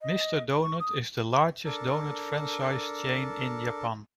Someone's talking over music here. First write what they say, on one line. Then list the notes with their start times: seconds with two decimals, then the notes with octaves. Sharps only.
Mister Donut is the largest donut franchise chain in Japan.
0.01 D#5
0.62 C#6
0.80 D#6
1.65 D4 A4 A#4